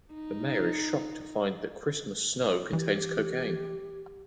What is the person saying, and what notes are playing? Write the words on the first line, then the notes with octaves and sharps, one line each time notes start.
The Mayor is shocked to find that Christmas Snow contains cocaine.
D#4
E3 G4